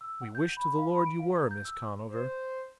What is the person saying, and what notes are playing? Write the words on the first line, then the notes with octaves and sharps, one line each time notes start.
But we wish to the Lord you were, Miss Conover.
E6
F#5
G6
B5
F5
B5
D7
F5
A#5
G6
E6
C5